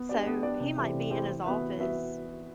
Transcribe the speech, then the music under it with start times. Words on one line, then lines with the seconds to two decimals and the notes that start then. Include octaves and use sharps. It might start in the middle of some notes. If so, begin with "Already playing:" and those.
so he might be in his office
Already playing: B3
0.09 D4 G4 D5
0.26 B3
0.43 D4 G4 D5
0.60 C3
0.77 E3 A3 C4 G4
0.93 C3
1.10 E3 A3 C4 G4
1.27 E3
1.44 B3 F#4 B4 E5
1.62 E3
1.78 B3 F#4 B4 E5